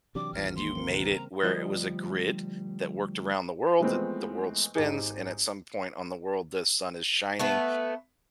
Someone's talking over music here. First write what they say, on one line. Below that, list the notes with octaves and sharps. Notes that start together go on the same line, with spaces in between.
and you made it where it was a grid that worked around the world, th the world spins, and at some point on the world, the sun is shining
C3 E3 F#3 D4 G4 D6
G#1 D#2 F3 F6
E3 A#3 C6
C4 A#4 C5
C#3 G3 A#4 B4
A#5
D2 F3 G3 C5 D#5
E3 F3 G#3 A3 B3 C4
G#1 D#4 G4 G#4
A3 B3 B4